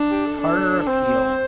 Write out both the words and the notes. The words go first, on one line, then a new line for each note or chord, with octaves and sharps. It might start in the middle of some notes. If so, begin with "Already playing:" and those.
Carter appealed.
Already playing: D4
G4
A4
D4
C4 C5